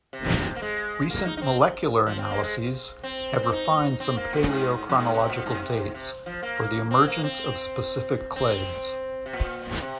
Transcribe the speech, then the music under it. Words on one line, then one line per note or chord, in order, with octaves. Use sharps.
Recent molecular analyses have refined some paleo-chronological dates for the emergence of specific clades.
C3
A#3
G#3
A#3
D#4
D#4
C4
F3
C4
A#3
G#3
C4
C4
D#4
C4
A#3
A#2
G#2
F2
G#2
C3
A#2
G#2
C3
G#2
C3
F3
A#3
C4
A#3
C4
C4
C3
A#2
C3